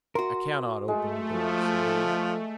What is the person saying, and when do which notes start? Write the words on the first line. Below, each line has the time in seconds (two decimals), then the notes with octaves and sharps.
"I cannot open the door," said he.
0.15 F#4 A#4 C6
0.88 G#3 A3
1.30 F3